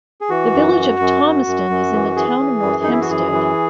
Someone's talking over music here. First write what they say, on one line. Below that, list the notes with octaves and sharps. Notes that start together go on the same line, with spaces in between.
The Village of Thomaston is in the Town of North Hempstead.
G#4
E3 F#4
F#2
F#2
F#2
F#2
F#2
F#2
E3
E3 G#4
E3
F#2
E3 D#4
E4
F#4
F#2 G#4
E3